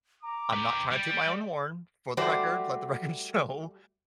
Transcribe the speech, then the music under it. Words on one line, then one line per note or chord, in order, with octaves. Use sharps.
I'm not trying to toot my own horn, for the record, let the record show,
A#5 D6
B4 G5
G3 D7
G3 A3 F#4 C5 D5